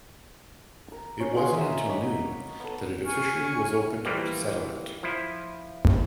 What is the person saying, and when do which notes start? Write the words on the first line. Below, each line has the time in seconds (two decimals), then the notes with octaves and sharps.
It wasn't until noon that it officially was opened to settlement.
0.92 A#4
1.20 C#4
1.36 G#3 C#4 F4 F#5
1.54 A#4 D#5 E5 F#5
1.89 D#4 C#5 B5 D6
2.60 B3 A4
3.05 G#5 C#6 F6
4.05 E3 F3 G3 A#3
5.03 F3 E4